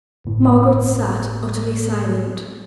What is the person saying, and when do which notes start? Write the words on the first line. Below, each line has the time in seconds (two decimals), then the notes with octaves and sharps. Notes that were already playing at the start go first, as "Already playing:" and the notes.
Margaret sat utterly silent.
0.24 G1 A2